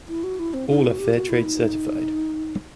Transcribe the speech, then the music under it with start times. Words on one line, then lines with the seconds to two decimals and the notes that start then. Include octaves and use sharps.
All are Fairtrade Certified.
0.09 E4
0.24 F#4
0.39 E4
0.54 C4
0.69 D#4
0.85 F#4
0.99 G4
1.14 F#4
1.29 E4
1.44 D#4